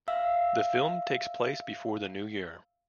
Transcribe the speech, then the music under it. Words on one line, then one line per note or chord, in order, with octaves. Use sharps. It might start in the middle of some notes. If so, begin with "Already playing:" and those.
The film takes place before the New Year.
E5 F5 E6